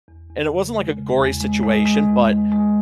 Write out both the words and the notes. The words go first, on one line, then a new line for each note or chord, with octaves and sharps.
and it wasn't, like, a gory situation, but
E2
E2
C#3
G#3
C#3
E2
G#3
G#3
G#3
E2
G#3
G#3